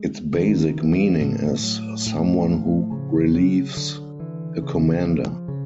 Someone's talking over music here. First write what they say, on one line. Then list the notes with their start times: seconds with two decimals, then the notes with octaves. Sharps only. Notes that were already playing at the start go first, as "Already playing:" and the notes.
Its basic meaning is "someone who relieves a commander".
Already playing: G#3
0.35 D#3
0.78 E3
1.20 A2
1.63 F#3
2.06 A2
2.49 F3
2.91 C#3
3.35 F#3
3.77 D3
4.20 E3
4.62 C#3
5.05 F3
5.48 C#3